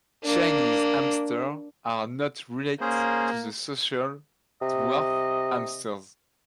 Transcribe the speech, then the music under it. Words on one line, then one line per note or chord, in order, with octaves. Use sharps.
Chinese hamsters are not related to the social "dwarf" hamsters.
A#3 D4
A#3 C#4 G#4 C5
C3 D#5